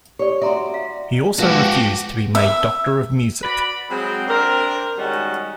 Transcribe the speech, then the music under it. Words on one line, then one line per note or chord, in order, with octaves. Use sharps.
He also refused to be made doctor of music.
G4 C#5 D5
F#4 D5 E5 A#5 C6
F5
F3 G#3 B3 F#4 G4
E5
F#4 D5 B5
F#3 G#3 C4
C4 D4 A#4
D#3 G3 G#3 C#4 F#4